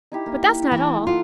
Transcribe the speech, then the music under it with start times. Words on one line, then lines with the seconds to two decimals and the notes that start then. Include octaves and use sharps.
But that's not all.
0.12 D#4 E4 G4
0.26 A#3
0.71 E3
1.07 F4 A4 F#5